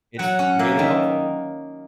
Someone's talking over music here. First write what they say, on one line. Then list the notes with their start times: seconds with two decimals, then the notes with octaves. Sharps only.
It's really helpful.
0.18 F#3 F#5
0.39 C#4
0.59 A#3 E5
0.79 D#3